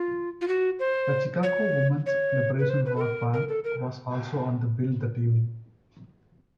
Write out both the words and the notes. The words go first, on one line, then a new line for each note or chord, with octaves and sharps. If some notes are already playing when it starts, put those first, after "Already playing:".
The Chicago Women's Liberation Rock Band was also on the bill that evening.
Already playing: F4
F4
F#4
C5
C#5
C#5
B4
C5
B4
A4
A#4
A#4
A4
A#4